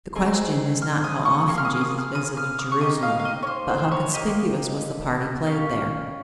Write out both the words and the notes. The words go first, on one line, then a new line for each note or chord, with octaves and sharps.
The question is not how often Jesus visited Jerusalem, but how conspicuous was the part he played there.
C4 D#4 G#4
F6
D#6
C#6
A#3 F4 G#4 C#6
F6
D#6
D#6
F6
D#6
F6
D#6
C#6
A#3 D#4 G4 D#6
F5
F5
D#5
C#5
C5
C5
C#5
A#3 D#4 G4 D#5
C#4 G4 F5